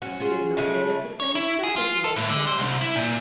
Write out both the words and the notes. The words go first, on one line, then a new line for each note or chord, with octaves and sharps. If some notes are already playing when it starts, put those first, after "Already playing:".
'She is not made of the same stuff as you are, John.
F#2 C#4 F#4
C#4 F4 G#4
C#3 G#3 A3
C#5
E4
G#4
F4
A4
A2
D3
C5
C2
E4
A#2